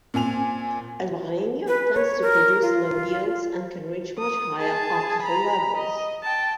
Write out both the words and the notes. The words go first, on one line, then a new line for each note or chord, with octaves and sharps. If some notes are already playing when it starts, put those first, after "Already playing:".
Alvarinho tends to produce low yields and can reach much higher alcohol levels.
A#2 C4 G#5 F7
B4
C#5
A#4
F4
D#6
G#4 A5
A#5 B5
D#5
G5 A5